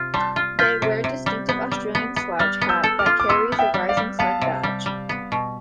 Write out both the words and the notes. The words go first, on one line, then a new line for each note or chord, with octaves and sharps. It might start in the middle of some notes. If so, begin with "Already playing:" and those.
They wear the distinctive Australian slouch hat that carries the 'Rising Sun' badge.
Already playing: C3 F4
G3 A5 C6
F4
F4 G6 B6
C3
C3
G3
B3
G3
B3
B3
G3 F6 A6
B3
E6 G6
A4
D6 F6
F4
D6
B3 C6 E6
B3
E5 G5
G3
D5 F5
G3
B3 F5 A5
C3
G3
G3
B3
B2